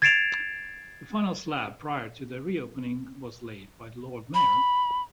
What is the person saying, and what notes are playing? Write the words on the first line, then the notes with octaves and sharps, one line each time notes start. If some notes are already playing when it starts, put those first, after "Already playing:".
The final slab prior to the reopening was laid by the Lord Mayor.
G#6 A6 C7 D7 E7 F7
B5